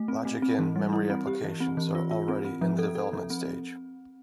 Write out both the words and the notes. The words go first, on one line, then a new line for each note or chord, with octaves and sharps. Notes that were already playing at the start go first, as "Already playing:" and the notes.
Logic-in memory applications are already in the development stage.
Already playing: A3
C4
A3
C4
E3
G3
E4
C4
G4
E3
C4
E3
F4
F4
C4
C4
F3
A4
A4
F3
C4